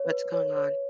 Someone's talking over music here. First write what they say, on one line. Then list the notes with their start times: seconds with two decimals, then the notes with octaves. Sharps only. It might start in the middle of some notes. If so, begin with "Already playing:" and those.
What's going on?
Already playing: C#5
0.11 B4
0.34 C#5
0.57 C#5